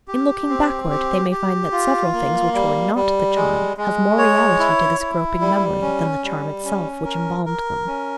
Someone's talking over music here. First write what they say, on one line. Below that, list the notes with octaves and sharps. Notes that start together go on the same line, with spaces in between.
In looking backward they may find that several things which were not the charm have more reality to this groping memory than the charm itself which embalmed them.
G4
C4
G4
G4
F4
A#3
G3
G3
G#3
G#3
C#5
E4
E4
G3
C#4
G3
C#4
A#4
A#4
C#4